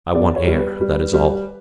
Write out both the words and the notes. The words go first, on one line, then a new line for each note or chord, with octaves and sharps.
"I want air, that is all."
E2 D5
C#5
G3
B4
G3
G3